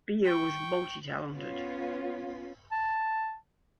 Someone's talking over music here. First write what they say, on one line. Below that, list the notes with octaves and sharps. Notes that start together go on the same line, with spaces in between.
Beer was multi-talented.
G5 C#6
B3 C#4 F4
A5